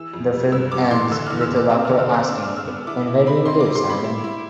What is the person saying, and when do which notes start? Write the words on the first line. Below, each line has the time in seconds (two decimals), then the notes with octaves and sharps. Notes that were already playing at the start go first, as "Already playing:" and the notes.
The film ends with a doctor asking, And where do you live, Simon?
Already playing: E3 E6
0.14 F2
0.33 G3
0.52 G2 E6
0.72 G2 D6
0.91 E3 C6
1.12 D3 E6
1.26 E2 F6
1.41 E6
1.50 E2
1.56 D6
1.70 C4 E6
1.85 D3 F6
1.99 E6
2.10 C4 D6
2.28 D4 E6
2.43 F6
2.49 D4
2.57 E6
2.67 B3
2.87 E4 D6
3.07 E4
3.26 C4 B5
3.46 C3 C6
3.60 G3 D6
3.75 C6
3.85 G3 B5
4.04 E4
4.24 E4